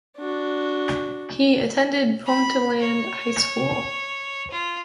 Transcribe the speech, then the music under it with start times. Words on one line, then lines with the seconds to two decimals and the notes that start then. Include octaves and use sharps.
He attended Ponteland High School.
0.17 D4 F#4
2.26 B5
2.81 C#5
4.51 F4